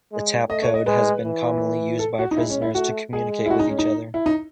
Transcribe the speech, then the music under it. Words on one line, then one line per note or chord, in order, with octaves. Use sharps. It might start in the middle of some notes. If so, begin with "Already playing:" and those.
The tap code has been commonly used by prisoners to communicate with each other.
G#3
A3 D#5
C#5
D#5
G#3 B4
E3
A4
F#4
D#4
G#3 E4
C#4
E4
A3 F#4
G#3 G#4
E4
F#4
D#4
C#4
D#4
E4
D#4